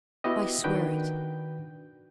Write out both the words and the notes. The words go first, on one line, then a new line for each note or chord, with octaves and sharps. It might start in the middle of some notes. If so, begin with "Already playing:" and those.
"I swear it."
B3 E4 F#4 G4 D#5
D#3 D4 F#4 B4 G5 G6